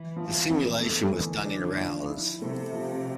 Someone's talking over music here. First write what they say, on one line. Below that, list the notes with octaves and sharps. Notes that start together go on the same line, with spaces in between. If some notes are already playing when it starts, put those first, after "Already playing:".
The simulation was done in rounds.
Already playing: E3
F3
F2
A3
D3 E3
D4
F3
E4
C3 A3
F3